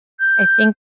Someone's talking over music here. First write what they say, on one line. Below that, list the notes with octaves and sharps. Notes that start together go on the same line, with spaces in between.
I think
G6